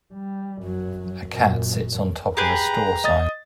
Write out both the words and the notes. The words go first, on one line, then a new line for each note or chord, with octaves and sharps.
A cat sits on top of a store sign.
G3
F#2 F#3
F#2 A#2
G4 G#4 B4 A#5
D#5 D#6 A6